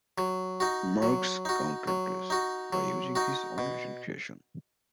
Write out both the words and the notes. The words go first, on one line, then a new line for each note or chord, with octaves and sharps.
Marks countered this by using his own written creations.
F#3
D#4 F#4
F#3
D#4 F#4
F#3
D#4 F#4
F#3
D#4 F#4
B2